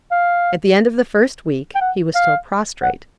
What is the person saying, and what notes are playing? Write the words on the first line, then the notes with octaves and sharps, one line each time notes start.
At the end of the first week he was still prostrate.
F5
G5
F#5
F5
F#5